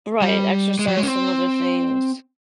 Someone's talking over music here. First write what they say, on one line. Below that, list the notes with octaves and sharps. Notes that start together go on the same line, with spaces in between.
Right, exercise some other things.
G3
G#3
F#3
G#3
C#4
C4